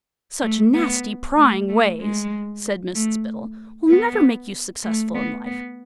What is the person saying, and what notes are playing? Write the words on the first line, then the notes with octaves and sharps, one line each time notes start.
'Such nasty, prying ways,' said Mrs Biddle, 'will never make you successful in life.
A3
B3
A3
A3
G#3
A3
B3
A3
B3
B3